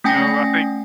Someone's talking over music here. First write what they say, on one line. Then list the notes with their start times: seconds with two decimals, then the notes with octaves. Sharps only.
You know, I think
0.04 A3 C#4 G5 G#5 A#6